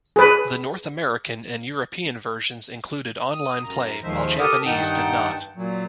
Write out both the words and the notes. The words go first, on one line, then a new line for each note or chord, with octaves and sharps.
The North American and European versions included online play while Japanese did not.
G#4 B4
D#6
F#2 A#5
D#2 D#3 F3 G#3 C5 E5
G4 A4 A#4 D#6
G2 D#3 D#4 F#5 G5 A5
A#2 F#3